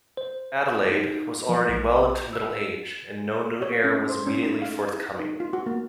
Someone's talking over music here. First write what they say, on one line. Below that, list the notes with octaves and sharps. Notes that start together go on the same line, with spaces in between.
Adelaide was already well into middle age and no new heir was immediately forthcoming.
C5
D#4
F3
A#1
E6
C#5
C#4
C5
C#4
D#4
F5
E4
D#4
F4
F#4
A#3